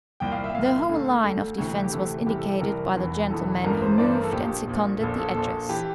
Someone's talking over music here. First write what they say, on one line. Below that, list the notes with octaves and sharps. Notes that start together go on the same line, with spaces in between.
The whole line of defence was indicated by the gentlemen who moved and seconded the Address.
C2 A#2 G5
F5
E5
C2 A#2 F5
D2 D3
D2 D3
D2 C3 E3
G4
D2 C3 E3 A4
C2 C3 E3 G4
A4
A4
C2 C3 E3 A#4
E1 E2 E3
E1 E2 E3 A4
A1 G2 E3 A#4
C5
A1 G2 E3 D5
C5
A#4
A4
A#1 A#2 G4
A#1 A#2
A#1 A#2 A4
A4
A#1 A#2 A4
E3 G4